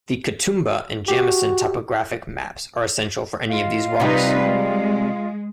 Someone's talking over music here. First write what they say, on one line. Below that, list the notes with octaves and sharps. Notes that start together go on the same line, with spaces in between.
The Katoomba and Jamison topographic maps are essential for any of these walks.
F#4 G4
F4 D#5 F5
C3 G3 D#4 B4
G#3